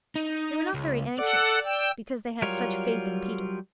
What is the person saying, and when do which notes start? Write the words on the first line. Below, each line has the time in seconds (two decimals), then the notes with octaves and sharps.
They were not very anxious, because they had such faith in Peter.
0.16 D#4
0.74 C#2
1.19 A4 D5 F#5
1.65 G5 E6
2.42 F#3 G3 F4 A#4 C#5